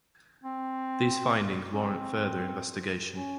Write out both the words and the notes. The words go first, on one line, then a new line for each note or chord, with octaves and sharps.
These findings warrant further investigation.
C4
C#4
C4
C#4